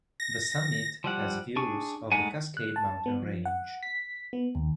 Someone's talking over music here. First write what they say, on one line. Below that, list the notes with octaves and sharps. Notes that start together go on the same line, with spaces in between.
The summit has views of the Cascade Mountain Range.
A#6
F3 G3 F#5
D4 G#4 C#6
G#3 A3 D#4 F#5 G#5
F#6
A5
B3
F3
F#5
B6
B3
D#2